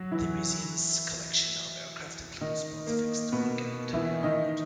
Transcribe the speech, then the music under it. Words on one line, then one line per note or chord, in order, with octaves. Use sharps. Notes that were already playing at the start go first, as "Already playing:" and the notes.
The Museum's collection of aircraft includes both fixed wing and rotary aircraft.
Already playing: F#3 F#4
E3 E4
D#3 D#4
A#3
B2 B3
E3 E4
D#3 D#4